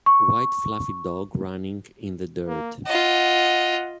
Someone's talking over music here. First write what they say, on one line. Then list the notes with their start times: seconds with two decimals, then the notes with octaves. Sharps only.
White fluffy dog running in the dirt.
0.06 C#6
2.48 A#3
2.87 F4 D#5 F#5